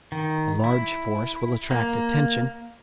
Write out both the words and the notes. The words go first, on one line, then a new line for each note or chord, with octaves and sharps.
A large force will attract attention.
D#3
E4
A#3